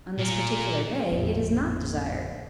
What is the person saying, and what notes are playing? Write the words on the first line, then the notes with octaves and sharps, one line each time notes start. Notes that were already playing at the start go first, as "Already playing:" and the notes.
On this particular day it is not desired.
A#2 A#4
A1 F2 A#2 C4